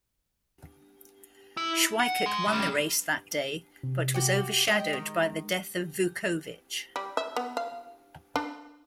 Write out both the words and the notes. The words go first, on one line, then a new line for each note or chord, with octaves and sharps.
Sweikert won the race that day, but was overshadowed by the death of Vukovich.
E4
F#5
G#3
G3 C#4
C3
F#4 G4
G#3 D#5 G5
D#3
G3
E5
B3
F5
D4